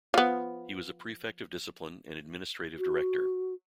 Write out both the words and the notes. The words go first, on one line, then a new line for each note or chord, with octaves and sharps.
He was a Prefect of Discipline and Administrative Director.
F3 B3
F#4